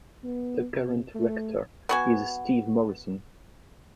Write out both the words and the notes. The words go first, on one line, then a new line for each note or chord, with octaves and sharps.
The current Rector is Steve Morrison.
B3
C3
A3
B3 F#4 G#5